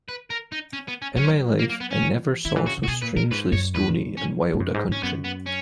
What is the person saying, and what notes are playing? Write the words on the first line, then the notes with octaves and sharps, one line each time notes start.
In my life I never saw so strangely stony and wild a country.
B4
A#4
D#4
C#4
B3
C#4
F#3 C#4
A#3
A#3
B3
C#4
E3
D#3 E4
E3
C#3 F#4
C#3
F#4
B2 G#4
A#2 B4
A#2 A#4
G#2 B4
F#2 C#5
E2 B4
C#4
G#2
F#2
G#2
G#2 C#4
F#2 B3
B3
C#4